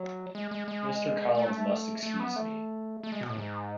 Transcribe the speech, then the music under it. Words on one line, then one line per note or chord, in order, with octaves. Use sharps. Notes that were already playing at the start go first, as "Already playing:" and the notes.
Mr. Collins must excuse me.
Already playing: F#3
G#3
G#3
G#3
A3
A3
B3
A3
A3
G#3
B2
A2
G#2